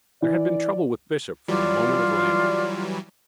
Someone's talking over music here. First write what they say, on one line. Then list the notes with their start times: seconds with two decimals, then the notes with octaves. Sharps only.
There had been trouble with Bishop from the moment of landing.
0.22 E3 D5
1.48 E3 F#3 G3 F4 D5